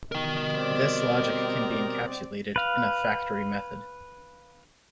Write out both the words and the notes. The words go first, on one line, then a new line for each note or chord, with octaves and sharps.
This logic can be encapsulated in a factory method.
B2 G3 A#4 D#5 G5
C4 D5
B4 F5